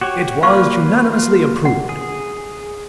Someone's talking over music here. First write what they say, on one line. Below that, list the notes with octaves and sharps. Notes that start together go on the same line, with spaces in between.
It was unanimously approved.
F#4 G4 C#5
A#3 F4 B4 F5 C#6
F#5
G#4